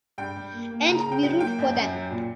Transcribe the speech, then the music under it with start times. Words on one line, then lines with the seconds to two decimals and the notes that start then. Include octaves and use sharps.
And we root for them.
0.18 G2 G5
0.36 G2
0.53 A#3
0.71 A#3
0.82 G5
0.88 C#3 A#5
1.00 A#5
1.06 C#3
1.12 G5
1.23 F#3 G5
1.40 A#3 G5
1.59 F#2
1.76 F#2
1.93 F#3
2.11 A#2